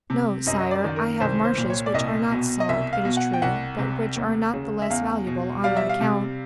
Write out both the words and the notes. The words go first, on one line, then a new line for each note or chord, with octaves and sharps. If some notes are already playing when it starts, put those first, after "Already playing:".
"No, sire, I have marshes which are not salt, it is true, but which are not the less valuable on that account."
C3
F#2 D#5
D#5
D5
D#3
A#4
C2 C5
C5
A#2
C#5
D5
C2 D#5
B2
D#5
C2 E5
F5
B2
F#5
G5
C2 F#5
C3
D#2
C#3
E5
E2 F5
B2
G3 F5
E5
F5
C3